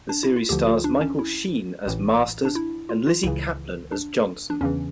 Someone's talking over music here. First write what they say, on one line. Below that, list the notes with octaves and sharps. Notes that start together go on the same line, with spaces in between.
The series stars Michael Sheen as Masters and Lizzy Caplan as Johnson.
D4
E4
F4
D2 D3 F3 G4
F4
D4
C#4
E4
A1 A2 E3
D4
E4
F4
F4
C#2 C#3 E3 E4
D4
D4
E2 C#3 E3 C#4